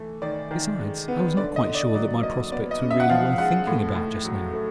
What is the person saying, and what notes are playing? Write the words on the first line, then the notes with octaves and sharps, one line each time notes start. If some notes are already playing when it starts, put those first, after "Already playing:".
Besides, I was not quite sure that my prospects were really worth thinking about just now.
Already playing: E3 A3
D#3 D5
D#3
G#3
B3
D3 D5
D#5
D3
D5
F#3 D5
A#3 D#5
B3 D5
D#5
C#3
E5
F#5
F3 F5
G#3 F#5
A2
A2
F#3
A3